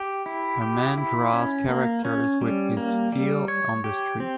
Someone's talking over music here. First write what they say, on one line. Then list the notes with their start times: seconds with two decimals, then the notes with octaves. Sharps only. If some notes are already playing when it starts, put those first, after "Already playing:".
A man draws characters with his feel on the street.
Already playing: G4
0.26 E4
0.61 G4
0.98 E4
1.33 C#4
1.69 A#3
2.05 C#4
2.41 G3
2.77 A#3
3.12 G3
3.48 C#5
3.84 G4
4.20 C4